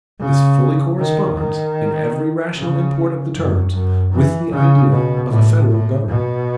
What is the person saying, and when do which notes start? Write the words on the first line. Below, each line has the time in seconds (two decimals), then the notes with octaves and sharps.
This fully corresponds, in every rational import of the terms, with the idea of a federal government.
0.20 C#3
0.99 D#3
1.38 D#3
2.56 C#3
3.35 F#2
3.74 F#2
4.13 E3
4.52 C#3
4.91 B2
5.30 A2
5.70 A2
6.09 B2